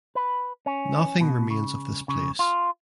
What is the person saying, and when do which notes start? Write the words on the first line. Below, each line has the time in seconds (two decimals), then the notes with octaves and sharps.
Nothing remains of this place.
0.15 B4
0.66 C#4
1.21 B2
1.50 C#3
2.08 C#3
2.39 F4